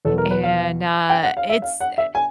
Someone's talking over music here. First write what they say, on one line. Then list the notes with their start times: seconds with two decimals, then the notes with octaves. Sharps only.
and, uh, it's eh,
0.05 E2 B2 F#3 A4
0.18 A#4
0.31 B4
0.43 F5
1.10 G5
1.23 F#5
1.37 F5
1.50 E5
1.62 F5
1.80 F#5
1.98 E5
2.15 G#5